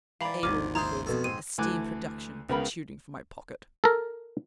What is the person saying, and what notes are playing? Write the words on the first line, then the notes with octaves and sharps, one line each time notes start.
Abel Woodward's esteemed productions protruding from my pocket.
E3 G4 D5 F5 A#5 B5
G#1 D#2 G#2 F3 F#3 D6 F6 D#7
E4 F4 C5 A#5 D#6
F2 B2 A4
G#2 C4 D#7
D2 E3 A3 G#5 D6 F#6
C#2 C#3 B3 A#4 B5
A4 A#4